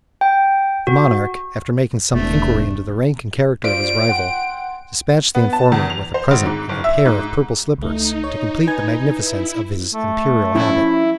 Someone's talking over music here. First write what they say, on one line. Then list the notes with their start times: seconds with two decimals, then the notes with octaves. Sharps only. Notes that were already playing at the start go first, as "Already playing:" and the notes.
The monarch, after making some inquiry into the rank and character of his rival, despatched the informer with a present of a pair of purple slippers, to complete the magnificence of his Imperial habit.
0.21 G5
0.87 F#4
2.13 E1 E2 C3 A3 D4
3.64 F4 C5 D5 D7
4.09 F#5 G5 C6
5.35 B3
5.53 A5
5.72 E2
5.90 F7
6.14 C5
6.31 G#1
6.45 G#2
6.69 F#1
6.84 E5
7.05 G#2
7.78 C#2 A3 D#4
8.24 C#5
8.67 B4 G#5 G#6
9.13 E4
9.94 A3
10.55 F3 C#4 E4 A5